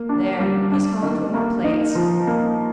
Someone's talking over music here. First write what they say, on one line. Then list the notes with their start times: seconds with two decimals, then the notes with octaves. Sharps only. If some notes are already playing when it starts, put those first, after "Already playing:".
There, he's calling for more plates.
Already playing: A#3
0.09 D4
0.40 G3
0.72 D4
1.03 D#3
1.34 A#3
1.64 D#4
1.95 F3
2.27 A#3